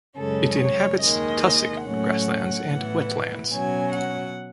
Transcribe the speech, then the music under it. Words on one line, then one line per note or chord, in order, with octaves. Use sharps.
It inhabits tussock grasslands and wetlands.
F#2 C#3 G#3 C#4 A4
C#5
D#2 D#3 G#3 D#5
A2 F#3 A3 C#4 F#5
A2 E3 B3
B2 F#3 C#4 G#5
F#5